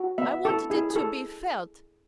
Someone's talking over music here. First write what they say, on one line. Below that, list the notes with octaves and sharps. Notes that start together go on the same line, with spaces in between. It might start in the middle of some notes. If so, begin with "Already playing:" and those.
I wanted it to be felt....
Already playing: F#4
B3 E5
E4 A4
E4 G#4
G#4
A4